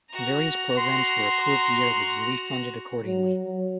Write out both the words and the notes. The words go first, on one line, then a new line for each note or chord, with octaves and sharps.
Various programs were approved yearly and re-funded accordingly.
F#4 A#5
C6
F#3
F#3